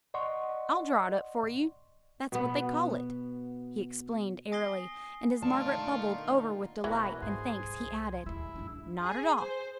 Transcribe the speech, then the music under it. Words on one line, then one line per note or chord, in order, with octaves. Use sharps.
I'll draw it up for you--that's what they call it," he explained airily; and as Margaret bubbled over with delight and thanks he added: "Not at all.
D5 D#5 F#5 C6 C#6
B2 B3
G#5 D#6 A#6 C7 G7
A#2 D3 A3 D#4 F4 D5 A5 C#6
E1 E3 B3 F#4 A#4
G#2 G#4 C5
C2
D#2 G#3 E4
F#1 D4
G#4
C5